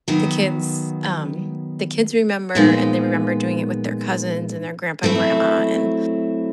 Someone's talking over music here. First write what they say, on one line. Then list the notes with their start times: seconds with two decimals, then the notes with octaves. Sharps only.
the kids um, the kids remember, and they remember doing it with their cousins and their grandpa and grandma, and
0.08 D#3 F#3 B3
2.55 A#2 F3 G#3 B3 D#4
5.03 F#3 A3 C4 E4